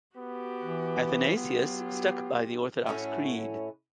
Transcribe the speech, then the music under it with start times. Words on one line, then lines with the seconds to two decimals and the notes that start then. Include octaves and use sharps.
Athanasius stuck by the orthodox creed.
0.17 B3 F#4 G4
0.63 E3
1.36 F#3 B3 F4 G4
2.86 A2 C#4 E4 F#4